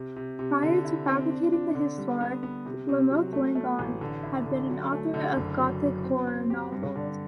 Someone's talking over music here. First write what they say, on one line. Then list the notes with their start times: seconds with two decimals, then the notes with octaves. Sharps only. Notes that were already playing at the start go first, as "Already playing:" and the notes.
Prior to fabricating the "Histoire", Lamothe-Langon had been an author of gothic horror novels.
Already playing: C3
0.16 C3
0.39 C3
0.63 D3
0.84 E4
1.08 C4
1.30 D4
1.52 D4
1.75 D3
1.98 G3
2.21 B3
2.43 B3
2.66 C3
2.89 C3
3.11 F#3
3.33 A3
3.55 A3
3.79 A1
4.01 D3
4.23 E4
4.46 D3
4.69 F#3
4.92 A3
5.14 D3
5.36 F#1
5.59 F#3
5.82 F#3
6.04 C4
6.27 C4
6.50 G4
6.72 G2
6.95 D3